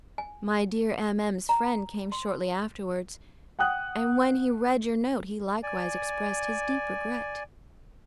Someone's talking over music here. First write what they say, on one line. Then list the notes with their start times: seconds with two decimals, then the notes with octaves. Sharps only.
My dear M---- M----'s friend came shortly afterwards, and when he read your note he likewise expressed his deep regret.
0.18 G#5
1.49 A#5
2.12 C6
3.59 F#5 G5 D#6 F#6
5.63 D5 G#5